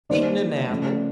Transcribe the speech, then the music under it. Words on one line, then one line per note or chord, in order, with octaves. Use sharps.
"Eatin' 'n apple."
D#3 G3 A#3 D#4 C5 D5
C#3 F3 A3